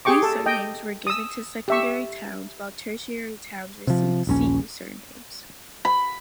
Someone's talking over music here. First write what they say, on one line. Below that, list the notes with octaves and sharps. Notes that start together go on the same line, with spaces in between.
"B" surnames were given to secondary towns while tertiary towns received "C" surnames.
G4 G#4 G5 C#6 D6
A4
D#5 G5
D#6 E6
G4 E5 C#6
C3 F3
D#1 A#1 C#4
B5